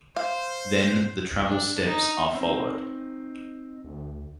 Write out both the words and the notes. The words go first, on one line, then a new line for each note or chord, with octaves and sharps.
Then the travel steps are followed.
C5 F5
D4
D#4
C4 D#4
D2